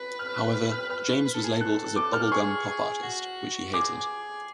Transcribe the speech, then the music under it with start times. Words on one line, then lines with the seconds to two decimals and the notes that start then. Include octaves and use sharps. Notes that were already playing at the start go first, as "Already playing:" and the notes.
However, James was labeled as a bubblegum pop artist, which he hated.
Already playing: B4 F#6
0.19 F6
0.36 F#6
0.54 F6
0.72 F6
0.90 B4 F6
1.25 B4
1.34 A4
1.44 G#4
1.53 A4
1.61 F#6
1.96 D6
2.13 F6
2.32 G#4 C#6
2.67 G#4
3.03 F#4
3.74 G#4 D6